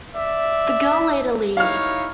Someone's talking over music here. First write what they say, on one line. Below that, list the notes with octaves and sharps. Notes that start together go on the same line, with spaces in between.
The girl later leaves.
D5 E5
D#4 E4 C#5 F5 F6